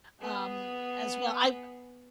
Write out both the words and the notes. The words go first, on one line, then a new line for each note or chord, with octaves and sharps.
um, as well, I've
B3 G#4